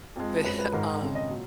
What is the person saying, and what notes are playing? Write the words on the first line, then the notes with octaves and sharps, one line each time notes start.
But, um
F2 F3 G#3
F#2 F3 G#3 B4
B4
G#2 D#3 G#3 A#4
F2 C#3 G#3
D#5
A#2 F#3